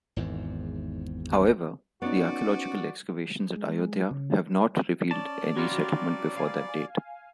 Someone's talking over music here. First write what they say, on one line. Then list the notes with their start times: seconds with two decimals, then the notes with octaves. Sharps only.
However, the archaeological excavations at Ayodhya have not revealed any settlement before that date.
0.16 G#1 E2 G#2
2.02 B3 C#4 D#4 F#4 D5
3.56 G#3
4.11 C#3
5.11 C#4 D5 A5
5.56 F#3 G3 F4 F#4
6.36 F5 G#5